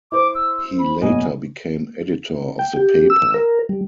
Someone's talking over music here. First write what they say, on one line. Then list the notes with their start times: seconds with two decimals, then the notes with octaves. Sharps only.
He later became editor of the paper.
0.12 E4 C5 D6
0.35 E6
0.79 B5
1.02 F#1 B2 D#5 G#5
2.59 G5
2.77 G4
3.10 E6
3.34 A#4
3.69 G3